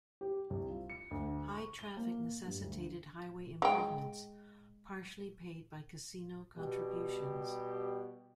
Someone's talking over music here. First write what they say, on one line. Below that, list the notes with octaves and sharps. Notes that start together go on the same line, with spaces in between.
High traffic necessitated highway improvements, partially paid by casino contributions.
G4
C2
F4
C#7
D2
C#6
G7
A#3
G2
D2
G#3 G5
B2 G3 G4